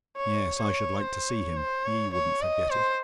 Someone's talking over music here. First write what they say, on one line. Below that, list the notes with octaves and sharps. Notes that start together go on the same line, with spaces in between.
Yes, I should like to see him. He wouldn't forget it.
C#5
C#5
C5
C#5
C5
C#5
C#5
D#5
C5